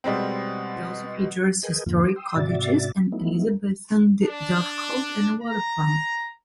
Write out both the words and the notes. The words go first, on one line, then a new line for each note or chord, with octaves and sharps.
It also features historic cottages, an Elizabethan dovecote and a water pump.
B2 G3 G#3 C4
G#4 A#4 B4 D#5 G5 G#5
F2 G#2 D3 F3 A#3 F4
G5 C6 D#6 E6
G#2 C3 F#4 D5 E5 A6
F#3 A3 B3 D#4 E4
D4
A#5